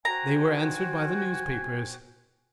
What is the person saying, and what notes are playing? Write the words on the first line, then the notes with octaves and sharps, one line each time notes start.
They were answered by the newspapers.
F#4 C5 G5 G#5 A#5